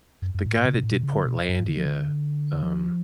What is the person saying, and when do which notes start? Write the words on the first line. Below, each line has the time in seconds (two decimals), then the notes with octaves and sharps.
the guy that did Portlandia, um
0.22 F#2
0.35 F#2
0.46 A2
0.57 A2
0.66 C#3
0.74 B2
0.83 A2
0.91 B2
1.03 C#3
1.15 D3
1.25 B2
1.49 F#2
1.59 G#2
1.68 D3
1.77 F3
1.86 D3
2.63 F3